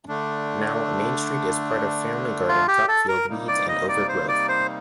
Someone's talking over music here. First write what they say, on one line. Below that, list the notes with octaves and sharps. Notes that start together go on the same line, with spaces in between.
Now "Main Street" is part family garden, crop field, weeds, and overgrowth.
D3 A3 D4
F4
G4
A4
A#4
C3 G3 A#3 D#4
D5
D#5
D5
C5
D5
C5